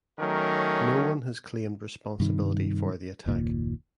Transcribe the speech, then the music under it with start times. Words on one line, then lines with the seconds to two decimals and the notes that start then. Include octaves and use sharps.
No one has claimed responsibility for the attack.
0.19 D#3 F#3 A3 C#4 A#4
2.20 G2 C3 D#3
3.26 F#1 D#2 A#2